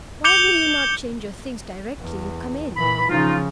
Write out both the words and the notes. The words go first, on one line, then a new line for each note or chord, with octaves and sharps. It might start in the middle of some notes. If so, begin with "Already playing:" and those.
Why will you not change your things directly you come in?
D6 G6 C#7 F7 G7
E2
A#2 E3 B5
C#3 F3 D#4 F4